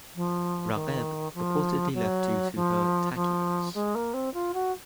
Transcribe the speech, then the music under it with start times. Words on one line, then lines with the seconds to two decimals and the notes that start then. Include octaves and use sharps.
Ragheb reportedly left due to her "tackiness".
0.16 F3
0.74 D#3
1.34 F3
1.94 F#3
2.55 F3
3.15 F3
3.74 G#3
3.95 A#3
4.14 C4
4.33 F4
4.54 F#4